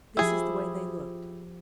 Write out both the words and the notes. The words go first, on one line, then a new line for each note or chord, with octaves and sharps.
This is the way they looked.
F3 E4 G4 G#4